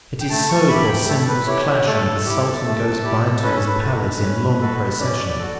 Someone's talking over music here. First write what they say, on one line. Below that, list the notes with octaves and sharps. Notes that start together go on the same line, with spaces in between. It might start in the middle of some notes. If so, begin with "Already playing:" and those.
It is so, for cymbals clash, and the Sultan goes by to his palace in long procession.
G5
A3 A5
C#6
E4 G4 B5
G5
A3 A4
A4
B4
E4 G4 C#5
C#5
A3 A4
E4 G4
A3
E4 G4
C#4 B4
A4
B4
F#4 A4
C#4
F#4 A4
C#4 D5
D5
F#4 A4